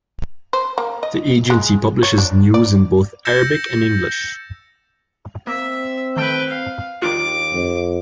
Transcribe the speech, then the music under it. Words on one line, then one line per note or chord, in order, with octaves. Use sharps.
The Agency publishes news in both Arabic and English.
C5
A#3
D#5
G#3
C#5
D4
D5
E6 G6 A6 A#6 C#7 E7
A#3 C4 E5
D#3 A3 B4 G5 E6
F5
D#2 D#3 D4 F4 D6
F2